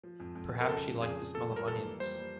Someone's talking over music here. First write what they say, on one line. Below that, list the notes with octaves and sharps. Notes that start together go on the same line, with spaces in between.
Perhaps she liked the smell of onions!
F3
F2
F2
F3
A#4
C#3 A4
G#3
F2 G#4
F3
A#3 A4
G3
A#4
E3 A4
A#3
G3 C5
G3